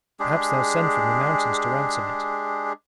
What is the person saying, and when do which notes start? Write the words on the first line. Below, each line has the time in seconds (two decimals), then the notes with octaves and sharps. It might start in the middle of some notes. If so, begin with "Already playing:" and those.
Perhaps they'll send from the mountains to ransom it.'
0.20 G#3 D4 G4 G#4